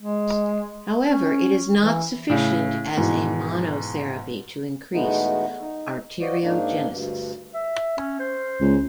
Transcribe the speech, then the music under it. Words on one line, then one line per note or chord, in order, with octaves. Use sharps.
However, it is not sufficient as a monotherapy to increase arteriogenesis.
G#3
C#4
E3
A2 C#3
G#2 B2 E3
E2 B2 G#3 A3 B3 D#4
D#4
F4 F#4 C5 D5 D#5
G#2 A#3 D4 D#4
D2 G2
E5
C#4
C5
C#2